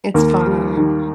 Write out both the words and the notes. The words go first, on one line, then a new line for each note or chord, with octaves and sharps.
It's fine.
D#2 A#3
G3
D#3